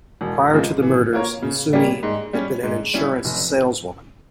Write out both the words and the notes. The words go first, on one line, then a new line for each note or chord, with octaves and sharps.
Prior to the murders, Masumi had been an insurance saleswoman.
E1
E2 C#3 F3 G#3
E3
A#3 F4 A#4 C#5
C#3
G3 A#3 C#4 G4
G#2
G3 C#4
G#2
G3 C#4 E4
F1